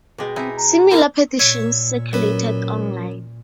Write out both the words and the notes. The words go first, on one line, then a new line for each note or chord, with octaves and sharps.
Similar petitions circulated online.
B2 G#3 G5 D6
C4 D#4 E4 G#5
A#5
A5
C4 E4 A#4
A#2 C#5 E5
F#2 B4